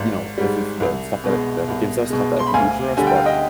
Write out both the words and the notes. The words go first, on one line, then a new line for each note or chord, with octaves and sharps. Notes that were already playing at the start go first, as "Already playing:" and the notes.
you know if if the stuff that that it gives us, the stuff that it can do for us, but
Already playing: G#1 G#2 G3
G#2 G3
C2
B2 G#3
C2
B2 G#3
C6
B5
D2 F5 G#5
D3 G3 G#5
G5
F5
D#5 G5